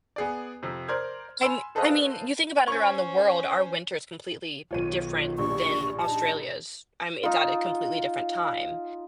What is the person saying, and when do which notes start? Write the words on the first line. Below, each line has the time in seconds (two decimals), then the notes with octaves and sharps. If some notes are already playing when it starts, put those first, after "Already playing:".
I'm I mean, you think about it around the world, our winter is completely different than Australia's, um, it's at a completely different time,
0.16 B3 G#4 D5
0.63 F2 C3
0.88 A#4 C5 D5 C6 F6 G#6
1.42 G#5 B5 C6 E6 E7
1.75 G#4 A4 B4 C5 D#5 F5
2.68 C#4 C5 C#6 G#6
4.71 B1 D#3 F4 C#5 D#7
5.38 A#1 G2 C#6
6.02 D#4 A5
7.23 D#4 F4